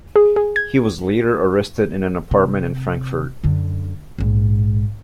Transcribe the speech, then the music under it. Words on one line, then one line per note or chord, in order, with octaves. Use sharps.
He was later arrested in an apartment in Frankfurt.
G#4
G#4
G#6
C3
F#2 D3
A#1 G#2